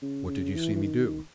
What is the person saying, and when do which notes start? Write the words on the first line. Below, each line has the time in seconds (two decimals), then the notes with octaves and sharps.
"What did you see me do?"
0.02 C#3
0.28 C#3
0.56 E3
0.75 E3
0.82 D#3